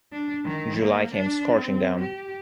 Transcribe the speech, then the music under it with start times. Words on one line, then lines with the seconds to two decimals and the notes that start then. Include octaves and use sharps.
July came scorching down.
0.12 D4
0.44 D#3
0.77 A#3
1.15 D4
1.55 C4
2.00 G4